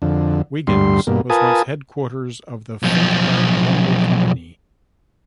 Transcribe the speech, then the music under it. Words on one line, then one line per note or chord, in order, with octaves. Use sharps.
Wiggins was once headquarters of the Finkbine Lumber Company.
F2 D3
D2 G2 G3 C6
G2 B2 A#3
F4 A#4 B4 G#5 A5 D#6
B1 F3